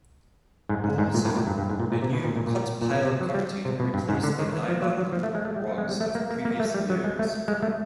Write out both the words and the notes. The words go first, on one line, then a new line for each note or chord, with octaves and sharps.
Also, a new cut-pile carpeting replaced the nylon loop rugs of previous years.
G#2
G#2
G#2
A#2
A2
A#2
G2
G2
G#2
A#2
A#2
C3
B2
A#2
A#2
A#2
A#2
B2
C3
F#3
G3
C3
B2
G2
G#2
D3
D#3
E3
F3
F#3
F#3
F3
A3
G#3
A3
G3
A3
G#3
G3
A3
A#3
A#3
A#3
A3
G3
F#3
G#3
A3
G#3
A3